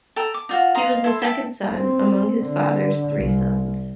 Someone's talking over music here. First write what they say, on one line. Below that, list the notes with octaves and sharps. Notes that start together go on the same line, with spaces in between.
He was the second son, among his fathers three sons.
A4 G5 A#5
D6
D#4 F4 F#4
D#5 F5 A#5 C6
E4 A4 C6
E5 G5 A5
C4
D3
C2